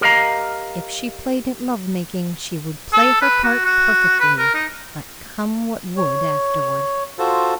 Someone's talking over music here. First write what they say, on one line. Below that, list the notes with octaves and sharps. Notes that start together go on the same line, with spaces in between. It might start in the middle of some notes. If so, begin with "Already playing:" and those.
If she played at love-making, she would play her part perfectly, let come what would afterward.
G4 A#4 D#5 F5 A#5
A4
B4
F#4
F#4
B4
A#4
D#4
C#5
F4 F#4 A4 C5